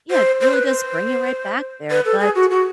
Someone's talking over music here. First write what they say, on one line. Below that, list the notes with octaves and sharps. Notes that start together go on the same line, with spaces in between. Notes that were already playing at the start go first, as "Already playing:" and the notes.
yeah, it really does bring you right back there. But,
C5
C5
B4
C5
B4
A4
G#4
F#4
F#4